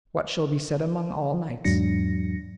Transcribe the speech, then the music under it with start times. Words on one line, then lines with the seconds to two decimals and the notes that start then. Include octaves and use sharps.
What shall be said among all knights?
1.64 E2 G#2 F#3 D4 A#6 C#7